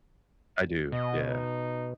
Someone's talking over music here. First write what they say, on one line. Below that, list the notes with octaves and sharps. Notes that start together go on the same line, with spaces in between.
I do, yeah.
B2 D#5
D#4